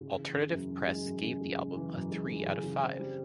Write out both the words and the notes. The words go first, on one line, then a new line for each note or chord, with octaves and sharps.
"Alternative Press" gave the album a three out of five.
C#3
E3
C#3
F#2
F#2
G#3
F#2
C#3
G#3
C#3
E3
F#2
G#3
G#3
C#3
C#3
C4
G3